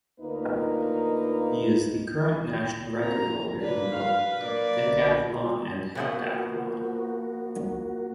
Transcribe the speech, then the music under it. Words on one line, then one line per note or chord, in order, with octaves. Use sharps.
He is the current national record holder in both decathlon and heptathlon.
D2 A#3 D#4 F4 B4
A#3 C4 F#4 A#5
D3 F#3 A#3 D4 B4
F5
A#3 D5
B1 B2 D3
B2 F3 A#3 F#4 F#5